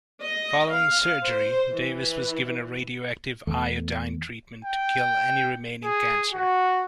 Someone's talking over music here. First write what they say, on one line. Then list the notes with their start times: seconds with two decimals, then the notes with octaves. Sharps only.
Following surgery, Davis was given a radioactive iodine treatment to kill any remaining cancer.
0.23 D#5
0.73 F5
1.24 C5
1.70 E3
3.47 E2 A3
4.65 G5
5.84 G#4
6.33 F#4